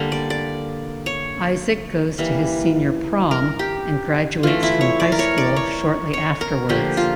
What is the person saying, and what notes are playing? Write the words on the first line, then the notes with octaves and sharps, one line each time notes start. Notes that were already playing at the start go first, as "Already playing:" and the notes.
Isaac goes to his senior prom and graduates from high school shortly afterwards.
Already playing: D3 G3 A#3
D5
D5
C#5
E3 G3 A#3
A#4
G4
E3 A3 F4
E4
C#5
D5
A#4
C#5
D5
C#5
C#5
A#4
D3 F3 A#3 G4
F4